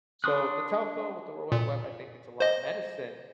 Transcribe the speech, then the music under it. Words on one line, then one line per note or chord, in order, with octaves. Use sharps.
So, the telephone with the World Wide Web, I think it's a lot medicine,
D4 C6 C#6 D#6 F#6
A#2
C5 D#5